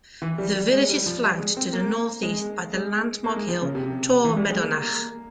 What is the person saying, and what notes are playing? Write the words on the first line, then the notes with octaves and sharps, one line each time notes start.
The village is flanked to the northeast by the landmark hill Torr Meadhonach.
E3
G3
G3
G#3
G3
F3
G3
G#3
C4
A#3
G#3
G#3
A#3
G#3
F3
C#3
C3
E3
G3
G#3
A#3